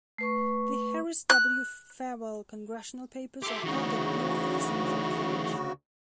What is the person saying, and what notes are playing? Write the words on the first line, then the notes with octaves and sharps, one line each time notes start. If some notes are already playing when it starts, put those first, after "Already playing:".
The Harris W. Fawell Congressional Papers are held at North Central College.
A3 B4 C#6
F#6
G4 A4 E5 C6 D6
D2 C#3 E3 D#4 F#4